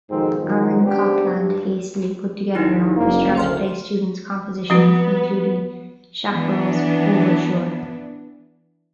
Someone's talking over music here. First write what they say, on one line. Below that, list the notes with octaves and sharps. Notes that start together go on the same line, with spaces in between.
Aaron Copland hastily put together an orchestra to play student compositions, including Shapero's Overture.
F2 G#2 B2 D#3 C4
E2 D#3 F3 F#3
C#3 B3 C4 D4 G4
G2
G#1 D#4 E4 G4
F#1 A#3
D2 C5 C6 F6
F3 B3 C4 F#4
E3 B3 D4